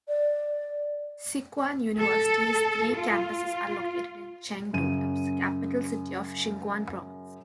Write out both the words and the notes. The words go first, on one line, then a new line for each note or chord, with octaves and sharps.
Sichuan University's three campuses are located in Chengdu, the capital city of Sichuan Province.
D5
A4
F4
F#2 C#3 D#7